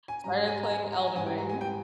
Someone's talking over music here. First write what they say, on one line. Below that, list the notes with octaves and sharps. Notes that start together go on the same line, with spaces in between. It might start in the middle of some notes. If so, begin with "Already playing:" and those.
Started playing Elden Ring,
G#5
G#2 G3 A#5
G#5
A#5
G#5
A#5
G#5
A#5
G#2 E3 G3 G#5
G5
A#5
G#5
G5